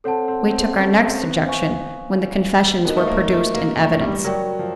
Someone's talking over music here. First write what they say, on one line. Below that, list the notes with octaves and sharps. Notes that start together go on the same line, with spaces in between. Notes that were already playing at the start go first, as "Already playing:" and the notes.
We took our next objection when the confessions were produced in evidence.
C4 A4 C#5 F#5 A5
C4
C4
C#4
C4
B3
C5 F5 G#5 C#6
B3 D#4 F#4 A#4 D#5
A3
A#3
A3
A#3
A3
G3
F#3 F#4 A#4 D5 G5
F3